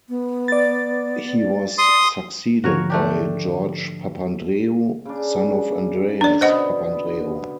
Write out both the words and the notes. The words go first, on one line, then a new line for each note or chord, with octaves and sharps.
He was succeeded by George Papandreou, son of Andreas Papandreou.
B3
D5 A6
C6 D#6
G#2 D3 F3 F#4 A#4 C#5
A3 D4 G4
C#3 D4
D4 D5
B2 D3 B3 C5 D#5 F#5